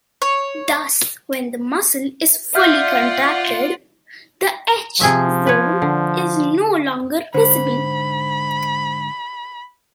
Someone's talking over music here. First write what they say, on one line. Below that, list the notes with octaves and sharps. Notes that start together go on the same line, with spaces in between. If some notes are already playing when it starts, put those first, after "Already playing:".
Thus when the muscle is fully contracted, the H zone is no longer visible.
C#5
F4 D5 E5 F#5 F6 G6
C3 F3 G#4 E5
B4 C#5
D3
G#2 D3 C5 B5